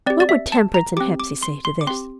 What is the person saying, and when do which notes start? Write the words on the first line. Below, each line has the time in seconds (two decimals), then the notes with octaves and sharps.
"What would Temperance and Hepsey say to this?"
0.06 C4 G4 D5
0.20 D5
0.29 E5
0.52 A5
0.74 A#5
0.97 C4 G4 D6
1.20 D6
1.43 C6
1.65 C6
1.81 D6
1.87 C4 G4 C6